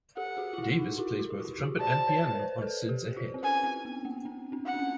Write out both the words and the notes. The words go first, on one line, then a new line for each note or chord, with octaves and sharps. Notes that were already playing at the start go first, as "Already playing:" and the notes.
Davis plays both trumpet and piano on "Sid's Ahead".
G4 A4 F#5
F#4 G#4
F4
E4 F#4
D#4 F4
E4 F#4
E4 F#4
F#4
F4 G4
F#4 G#4
C5 D5 A5
B4 C#5
A#4 C5
A4 B4
G4 A4
F4 G4
C4
C#4 G#5
C4
B3
A#3
C4 D4
C4 D4
F#5
D4
C#4